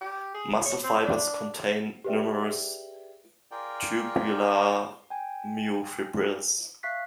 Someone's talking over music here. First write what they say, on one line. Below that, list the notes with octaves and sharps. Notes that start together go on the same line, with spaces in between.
Muscle fibers contain numerous tubular myofibrils.
G4
G#4
C#5
C4
D4
G4 G#4 B4 D5 E5 G5
F4 G#4 A#4 D5 G5
G5 G#5
E5 F5 C#6 F#6 B6 C7